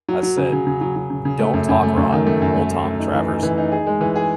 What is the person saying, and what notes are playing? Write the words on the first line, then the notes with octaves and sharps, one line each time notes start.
I said, 'Don't talk rot, old Tom Travers.'
F#3
F#3
C#3
C#3
C#3
F#3
F#3
C#3
C#3
A3
F#2
F#2
A3
F#2
D#3
A3
F#2
A3
A3
A3
D#4
E3
D#4
E3
D#4
G#4
G#3
E3
G#4